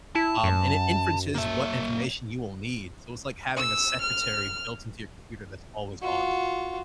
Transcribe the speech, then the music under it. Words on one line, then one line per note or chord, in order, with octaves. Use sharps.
um, and it inferences what information you will need, so it's like having a secretary built into your computer that's always on.
E4 A5
F#2
A#3 E5
E6
F6
F4 F#4